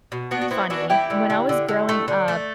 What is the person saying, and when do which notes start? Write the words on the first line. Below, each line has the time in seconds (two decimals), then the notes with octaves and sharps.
funny, when I was growing up,
0.12 B2
0.31 B3 D4 F#4
0.41 F#4
0.51 B3 C4 E4
0.70 E3 D4 F#4
0.90 E3 E4 G4
1.10 D3
1.30 D3
1.49 D3
1.68 D3
1.89 A3
2.08 D3
2.28 A3